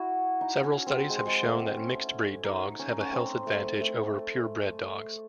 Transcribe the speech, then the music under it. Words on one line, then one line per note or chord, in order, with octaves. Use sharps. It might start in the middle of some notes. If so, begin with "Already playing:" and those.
Several studies have shown that mixed-breed dogs have a health advantage over pure-bred dogs.
Already playing: E4 F#4
D#4
C#4
C4
G#3
G#3
A3
C4
C#4
D#4
C#4
D#4
C#4
C4
A3
A3